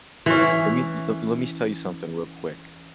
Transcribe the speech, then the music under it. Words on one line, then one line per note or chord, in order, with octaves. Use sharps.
Let me le let me s tell you something real quick,
E3 C#4